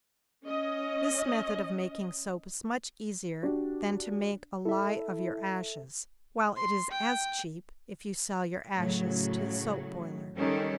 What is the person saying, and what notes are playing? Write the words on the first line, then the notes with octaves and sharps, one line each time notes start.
This method of making soap is much easier than to make a lye of your ashes, while it is as cheap, if you sell your ashes to the soap-boiler.
C#4 D#5
D4 F#4 G4
E4 A4 E5
C6
G5
A2 C#3 F#3
D#3 G3 C#4 G4 A4